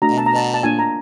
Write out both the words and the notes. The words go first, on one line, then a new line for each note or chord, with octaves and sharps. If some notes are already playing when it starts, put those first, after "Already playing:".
and then
A3 D4 F#4 A#5
A5
A#5
A5
A5
A#3 D4 F4 G#5
A#5